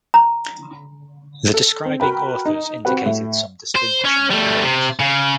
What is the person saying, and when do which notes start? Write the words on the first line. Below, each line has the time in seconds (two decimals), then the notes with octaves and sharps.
The describing authors indicated some distinguishing traits.
0.14 A#5
1.54 A4
1.85 C4
2.00 F#4 A#4 B4 G5 B5
2.45 D#4
2.85 C4 F#4 G4 B4 F#5
3.06 A2
3.76 C5
4.05 C#4
4.31 G3 A3
4.63 C3
5.00 C#3